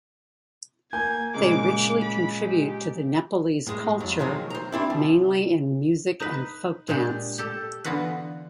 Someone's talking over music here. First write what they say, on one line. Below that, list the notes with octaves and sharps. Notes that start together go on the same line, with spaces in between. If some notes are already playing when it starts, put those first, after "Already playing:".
They richly contribute to the Nepalese culture mainly in music and folk dance.
A#3 G#5 G6 G#6
A#2 C#3 G#3 D6
B5
G4
A2 G#3
F2 F#3
D#3 F3 F#3 G#3
C5 A#5
C4 D4 E4
C2
D#4 B4
A#2 G#3 D4 G4
G4 A4
D3 E3 B3 F4 F#4 B4